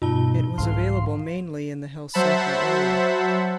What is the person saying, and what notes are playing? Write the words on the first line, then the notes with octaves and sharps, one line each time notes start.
It was available mainly in the Helsinki area.
G2 B2 D#4 F4 A5 G7
C2 G#2 E3 F5 C6
F#3 C5 E5 F#5 A5 B5